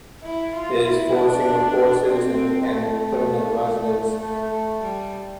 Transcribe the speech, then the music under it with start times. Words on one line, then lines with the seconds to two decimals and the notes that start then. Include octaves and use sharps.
It is for Singapore citizens and Permanent Residents.
0.23 E4
0.55 F4
0.84 E4
1.15 D4
2.07 C4
2.68 A3
3.60 A3
4.21 A3
4.51 A3
4.82 G3